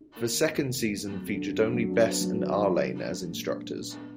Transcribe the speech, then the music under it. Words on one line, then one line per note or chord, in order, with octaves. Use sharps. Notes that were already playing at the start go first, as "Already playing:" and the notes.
The second season featured only Bess and Arlaine as instructors.
D#4
A#3
D#3
F2
D#4
A#3
F2
F#3
D3
F2
F2
F#3
D4
B3
F#3
D#3
D4
B3
D4
B3
G#3
A#2
D4
B3
D4
B3